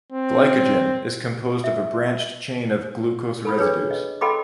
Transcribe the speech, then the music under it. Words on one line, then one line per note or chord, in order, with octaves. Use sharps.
Glycogen is composed of a branched chain of glucose residues.
C4
E5
A4 B5 D#6
D4 G#4 B4 C#5
D#5
A4 D#5 G5 B5 C6 D6